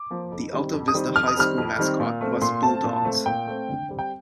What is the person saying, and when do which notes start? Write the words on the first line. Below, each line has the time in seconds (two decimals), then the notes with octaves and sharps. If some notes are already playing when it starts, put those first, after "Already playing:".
The Alta Vista High School mascot was Bulldogs.
Already playing: D6
0.10 F3 A#3
0.32 F2
0.52 D#3 G3 C4
0.73 F2
0.88 D#6
0.94 D#3 G3 C4
1.16 F2 F6
1.28 D#6
1.37 D#3 G3 C4 F6
1.58 F2
1.79 D#3 G3 C4
2.00 A#2
2.21 A3 C4
2.41 A#2 C6
2.63 A3 C4 A5
2.84 A#2
3.05 A3 C4
3.26 A#2 G5
3.47 A3 C4
3.68 D3
3.89 G3 C4
3.99 G5